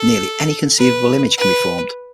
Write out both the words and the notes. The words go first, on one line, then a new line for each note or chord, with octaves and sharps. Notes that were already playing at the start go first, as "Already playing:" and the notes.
Nearly any conceivable image can be formed.
Already playing: A4
B4
B4